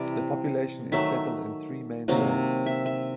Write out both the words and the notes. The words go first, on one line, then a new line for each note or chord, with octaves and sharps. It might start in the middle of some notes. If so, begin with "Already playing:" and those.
The population is settled in three main zones.
Already playing: C3 E3 G3 D5
D#3 F#3 A3 E5
C3 D#3 F#3 A#3
E5
E5